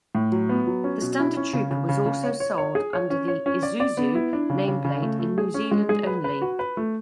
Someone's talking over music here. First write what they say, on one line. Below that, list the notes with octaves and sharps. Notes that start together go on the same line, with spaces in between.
The standard Trooper was also sold under the Isuzu nameplate in New Zealand only.
A2
F#3
B3
F#3
C#4
B2
E4
C#4
C#3
C#3
C#3
C#3
C#5
C#5
C#5
G#4
C#5
C#4
C#5
C#4
D5
D5
B3
E4
D4
C#3
C#3
C#3
A3
A3
G#4
C#4
G#3
G#4
B4
B4
F#4
B4
A3